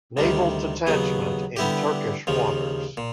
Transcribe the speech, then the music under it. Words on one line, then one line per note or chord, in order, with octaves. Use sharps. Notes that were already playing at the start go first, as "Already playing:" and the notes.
Naval Detachment in Turkish Waters.
D2 C3 D#3 G3
D#2 C#3 F#3 B3
D3 G3 B3 E4 G4
D#2 C#3 F3
A#2